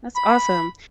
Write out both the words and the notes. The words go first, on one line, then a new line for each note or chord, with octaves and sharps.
That's awesome.
B5